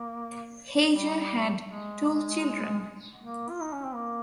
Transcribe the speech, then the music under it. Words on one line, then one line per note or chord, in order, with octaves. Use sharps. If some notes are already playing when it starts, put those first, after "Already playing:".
Hager had two children.
Already playing: A#3
G3
G#3
A#3
F4
D#4
C#4
C4
A#3